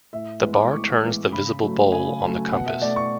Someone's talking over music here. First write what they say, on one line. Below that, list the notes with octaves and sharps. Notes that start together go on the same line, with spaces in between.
The bar turns the visible bowl of the compass.
A2 E5
E3 G#3 B3
D6
D6
A2 C#6
E3 G#3 B3
C#3 B5
F#3 A3
C#3 G#5
F#3 A3
B2 F#5
E5
A3 D5
C#6